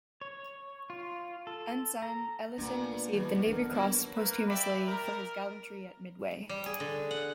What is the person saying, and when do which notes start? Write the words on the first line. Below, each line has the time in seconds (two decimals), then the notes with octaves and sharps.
Ensign Ellison received the Navy Cross posthumously for his gallantry at Midway.
0.21 C#5
0.90 F4
1.47 A4
2.02 A#5
2.58 A#2 A#3 B3 D4
3.13 D#2 B2
3.47 B3 D4 A#4
3.72 F#3 A#3 E4
4.16 A#3 A#4 B4
4.47 D5 E5 G5 B5
4.88 A#4
6.49 G3
6.66 G#4
6.80 D3
7.11 F#5